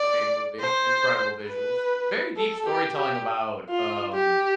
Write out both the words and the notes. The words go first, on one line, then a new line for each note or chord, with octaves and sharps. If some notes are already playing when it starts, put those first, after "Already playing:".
Great movie, incredible visuals, very deep storytelling about, um,
Already playing: D5
C5
B4
A4
G4
G4
F4
G4